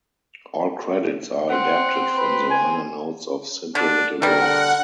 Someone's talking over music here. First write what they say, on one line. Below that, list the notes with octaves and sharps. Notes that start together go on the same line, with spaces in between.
All credits are adapted from the liner notes of "Simple Little Words".
C4 F#5
B4
G#5
D3 D4
B2 D3 G3 A#4 F#5